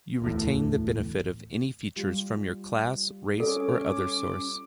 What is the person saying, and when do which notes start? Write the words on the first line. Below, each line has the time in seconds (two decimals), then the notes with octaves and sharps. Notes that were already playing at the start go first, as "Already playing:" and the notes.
You retain the benefit of any features from your class, race, or other source.
0.22 D1 E2 A2
1.96 G3 F4 G4
3.40 C#4 A4 D6